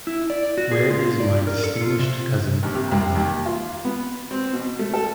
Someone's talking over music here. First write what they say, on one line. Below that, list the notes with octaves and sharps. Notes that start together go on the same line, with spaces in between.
Where is my distinguished cousin Gloria?
E4
D5
F#4
G#4
F4
D5
A#4
A4
F4
C3
D#2
C3
C2
D#2
F4
B3
C4
B2
A3
A4